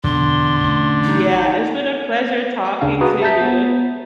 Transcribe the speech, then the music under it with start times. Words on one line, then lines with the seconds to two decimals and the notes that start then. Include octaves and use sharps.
Yeah, it's been a pleasure talking to you.
0.04 E2 B2 D3 C6
0.60 A1 C#4
1.04 D#4
2.81 D2 C#3 D4 F5
3.01 F#4 G#4 B4 A#5 D#6
3.22 E5 A5 A#5 G6 B6
3.41 B3